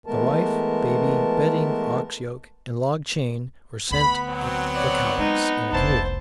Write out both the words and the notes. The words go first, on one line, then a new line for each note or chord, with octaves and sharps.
The wife, baby, bedding, ox yoke, and log chain were sent up the Cowlitz in a canoe.
E3 G#3 A3 B3 A#4 A5
D2 B3 B5
F#3 C4
C#5 D5
G#3 D#4
F1 C2 D4 E4 C5 A5